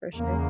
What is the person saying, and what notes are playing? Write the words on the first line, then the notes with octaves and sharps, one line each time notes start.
for sure.
E2 C#3 A#3